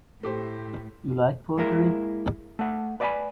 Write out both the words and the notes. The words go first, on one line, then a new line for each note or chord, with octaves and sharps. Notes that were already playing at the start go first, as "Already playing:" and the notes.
You like poetry?
A2 A3 G4 C5
G#3 A#3 E4 A#4
A3 F#5
B4 D5 D#5 G5 G#5 B5